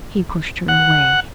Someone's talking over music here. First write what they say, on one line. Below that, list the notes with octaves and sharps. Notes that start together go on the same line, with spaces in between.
He pushed her away.
F#5